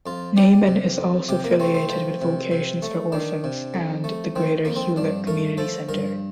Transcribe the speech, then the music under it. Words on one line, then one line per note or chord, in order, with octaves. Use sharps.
Neiman is also affiliated with Vocations for Orphans and the Greater Hulett Community Center.
F2 F4
G3 G4
C3
F2
C3 G4
A#3
A3 C4
C4
F3
C3
C3
A3
D#3 D4
C3
F2
A3
D#3 C4
F2 A#3
C4
G2 D4
A3 A#4
F3 A4
G2 A#4